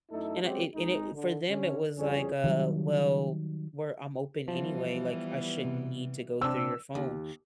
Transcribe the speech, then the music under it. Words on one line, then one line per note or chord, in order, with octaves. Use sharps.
and I and it and it for them, it was like, uh, "Well, we're I'm open anyway, like, I shouldn't need to go through your phone,"
F#2 A3 D#4 E4 A4
F#3 G#3 C4 C#4 F#4 G4
G#1 G#3 D#4
D3
D3 C#4
F2 E3 G3 C#4 G#4
D#3 F#3 G3
E3 F3 G3 B3
C3
C3 C4 D4 E6
D#2